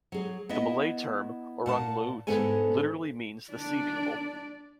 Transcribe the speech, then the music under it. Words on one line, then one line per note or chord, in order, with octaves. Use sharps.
The Malay term "orang laut" literally means the sea peoples.
F#3 G#4
B3 E4 D#5 E5
A#2 F#5 A5
G#2 D3 B3 G#4 A4 G#5
D4 D5